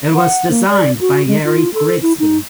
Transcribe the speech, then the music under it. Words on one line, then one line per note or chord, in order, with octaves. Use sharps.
It was designed by Gary Grigsby.
F#5
A#3
D5
F#4
G#3
F4
A4
E4
D#4